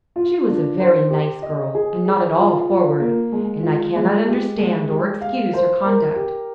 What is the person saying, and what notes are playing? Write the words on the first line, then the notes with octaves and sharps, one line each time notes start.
She was a very nice girl and not at all forward, and I cannot understand or excuse her conduct.
F4
D4
C5
G4
D#5
G#4
G#4
F4
F4
A#3
G#3
F4
G#3
G4
G#3
G4
F5
C5
A#4
G4